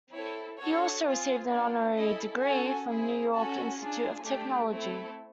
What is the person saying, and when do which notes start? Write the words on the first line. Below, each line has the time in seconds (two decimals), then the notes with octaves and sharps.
He also received an honorary degree from New York Institute of Technology.
0.13 C4 E4 A4 C#5
0.59 D4 F#4 A4 C#5
1.05 C4 F4 G#4
1.50 B3 D4 F4 D5
1.95 C#4 E4 A4 D#5
2.41 C#4 F#4 A4 G#5
2.87 C4 E4 G#4
3.33 C#4 F#4 A4 A5
3.78 D4 F4 G#4 G#5
4.23 A3 D4 G4
4.70 A3 C4 E4 A4